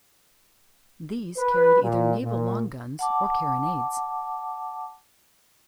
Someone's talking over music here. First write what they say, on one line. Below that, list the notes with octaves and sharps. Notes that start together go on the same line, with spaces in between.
These carried either naval long guns or carronades.
B4
A#2
A#2
F#5 A5 D6